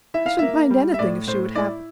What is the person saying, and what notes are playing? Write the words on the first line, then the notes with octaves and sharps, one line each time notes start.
I shouldn't mind anything if she would have me.
E4 E5
F5
A#3 E5
G3
E5
A2 D5
A2 C5
E4 D5